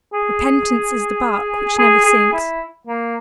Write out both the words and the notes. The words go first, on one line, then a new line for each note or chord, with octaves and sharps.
Repentance is the bark which never sinks.
G#4
G#4
G#4
E4
A#3